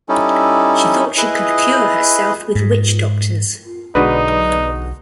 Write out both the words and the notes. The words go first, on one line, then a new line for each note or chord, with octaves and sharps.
She thought she could cure herself with witch doctors.
G3 C#4 D#4 E4 A4
E4 G#4 B4 D#5
G#2
B1 D3 G#3 D#4 F#4 B4 D5 D#6